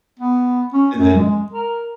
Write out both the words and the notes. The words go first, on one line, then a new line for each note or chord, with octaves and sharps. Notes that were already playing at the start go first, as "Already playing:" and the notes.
And then
B3
C#4
F#2
G#3
A#4